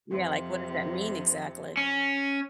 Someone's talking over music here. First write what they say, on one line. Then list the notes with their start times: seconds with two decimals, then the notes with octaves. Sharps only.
Yeah, like what does that mean exactly?
0.10 F2 C3
1.77 C#4